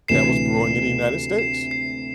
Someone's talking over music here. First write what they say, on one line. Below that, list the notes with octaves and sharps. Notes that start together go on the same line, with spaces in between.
that was brewing in the United States.
D2 C3 E3 C7 E7
C7 E7
C7